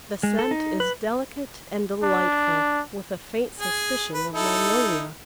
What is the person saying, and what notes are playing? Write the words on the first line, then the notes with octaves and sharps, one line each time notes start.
The scent is delicate and delightful, with a faint suspicion of Magnolia.
G#3
A4
D#4
B4
D4
G#4 G#5
B4
D#4 E4 A4